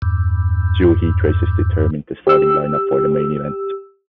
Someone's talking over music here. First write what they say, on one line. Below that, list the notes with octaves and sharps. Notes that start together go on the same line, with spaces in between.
Two heat races determined the starting lineup for the main event.
E2 G2
G4 E6